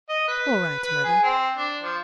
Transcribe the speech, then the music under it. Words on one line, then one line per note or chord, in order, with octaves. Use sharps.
'All right, Mother.
D#5
B4
B4
G#4
C4
D4
F3